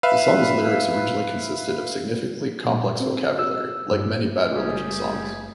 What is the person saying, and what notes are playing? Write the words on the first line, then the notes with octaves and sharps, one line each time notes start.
The song's lyrics originally consisted of significantly complex vocabulary, like many Bad Religion songs.
B4 E5 F5
A#2
C4
E6
G2
F#1 G3 A3 G#4